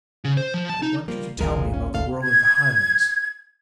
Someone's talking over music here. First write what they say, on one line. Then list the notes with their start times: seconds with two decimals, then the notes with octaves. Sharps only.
I want you to tell me about the world of the Highlands.
0.25 C#3
0.37 C5
0.54 F3
0.69 A5
0.82 D#4
1.08 F3 G3 A#3
1.39 D#1 A#1 A#2 E3 G#3 A#4
1.74 C#4
1.94 F#1 D2 A4 F5
2.23 G#6